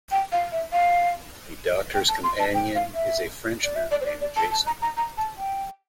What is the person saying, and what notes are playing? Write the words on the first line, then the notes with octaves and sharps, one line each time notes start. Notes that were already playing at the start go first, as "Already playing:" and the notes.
The Doctor's companion is a Frenchman named Jason.
G5
F5
E5
F5
G5
A5
C6
A5
G5
F5
E5
D5
E5
D5
C5
D5
D5
A5
A5
A#5
A#5
A#5
A5
G5